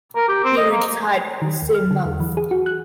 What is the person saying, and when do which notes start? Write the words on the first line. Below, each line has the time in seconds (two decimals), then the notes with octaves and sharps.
He retired the same month.
0.16 A#4
0.28 G4
0.44 C4
0.57 D#5
0.71 A#3
1.42 D#3
1.62 D#2
1.75 F6
1.91 D3
2.05 E2
2.20 E3
2.37 G#4
2.51 F#4
2.66 F#6